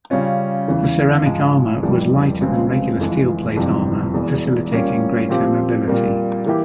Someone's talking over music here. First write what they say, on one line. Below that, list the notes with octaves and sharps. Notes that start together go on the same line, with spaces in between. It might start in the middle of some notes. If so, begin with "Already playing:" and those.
The ceramic armor was lighter than regular steel plate armor facilitating greater mobility.
C#3 G3 C#4 F4
E2 C#3 E3
G#2 F3 G#3
F1 F2 E3 G3
C#2 C#3 F3 G#3 C4
G1 F2 E3 G#3
G1 F2 C3 E3 G3
E1 E2 E3
A#2 G3 A#3 C#4 F4
A#2 F3 C4 G4
A#2 G3 A#3
E3 A#3 E4 G4